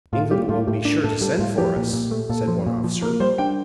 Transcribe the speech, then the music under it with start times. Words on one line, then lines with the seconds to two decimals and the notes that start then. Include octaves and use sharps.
"England will be sure to send for us," said one officer.
0.13 A2 F4
0.31 G3 G4
0.49 A2 F4
0.67 A2 G4
0.85 D4 A#4
1.04 A2 A4
1.21 G3 A4
1.39 A2 F4
1.58 F3 G4
1.76 A#2
1.93 A#2
2.11 A3
2.29 A#2 A4
2.48 F3
2.67 A#2
2.84 F3
3.02 A#3 A#4
3.20 G3 C5
3.38 D4 G5